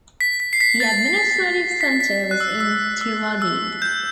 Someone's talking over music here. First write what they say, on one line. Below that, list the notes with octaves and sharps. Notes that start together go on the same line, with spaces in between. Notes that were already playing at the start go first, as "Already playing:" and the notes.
The administrative centre was in Tulagi.
B6
B6
C7
B6
A6
B6
B6
F#6
E6
E6
E6
E6
G6